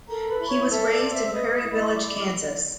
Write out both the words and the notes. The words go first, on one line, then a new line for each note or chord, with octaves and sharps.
He was raised in Prairie Village, Kansas.
A4 A#4 A#5
B4 B5
E4
C#5 C#6
A4 E5 E6
D5 D6
C5
E5 E6
E6
B4 D#5 D#6
E4
B5
C6
C#6
E4 D5 D6